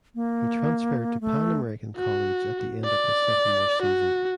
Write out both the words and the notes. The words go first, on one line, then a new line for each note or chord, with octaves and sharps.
He transferred to Pan American College at the end of his sophomore season.
A#3
A3
F#4
D5
F#4